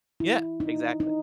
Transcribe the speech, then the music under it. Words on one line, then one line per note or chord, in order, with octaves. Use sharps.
Yeah. Exactly.
E4
D#4
D#4